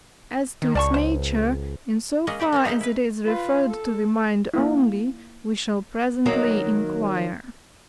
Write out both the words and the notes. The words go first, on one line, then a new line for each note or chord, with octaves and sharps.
As to its nature, in so far as it is referred to the mind only, we shall presently inquire.
D#3
C#2 D5 A5 C#6
C5
G#3 A#3 C#4 F4 G#4 D#5
G4 D5 E5 F#5
A#3 C4 C#4
G#3 D#4 E4 C5 F5
E4 B4
F4 B4
A4
A#3 E4
D#3 F#3 A#3